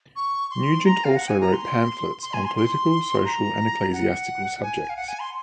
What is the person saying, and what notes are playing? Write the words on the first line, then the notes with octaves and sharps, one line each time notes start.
Nugent also wrote pamphlets on political, social, and ecclesiastical subjects.
C#6
C6
A#5
F5
F#5
G#5
A#5
C6
C6
G#5
C6
C6
A#5
F#5
G#5
F5
F#5
G#5
C6